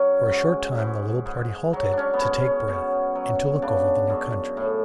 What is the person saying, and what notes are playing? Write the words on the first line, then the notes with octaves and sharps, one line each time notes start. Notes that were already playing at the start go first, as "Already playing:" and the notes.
For a short time the little party halted to take breath and to look over the new country.
Already playing: F#3 C#4
G#2
G#2
G#2
F#3
D4
C#4
B3
G#2 C#4
C#4
B2 C#4
F#3
C#3 D4
F#2
A2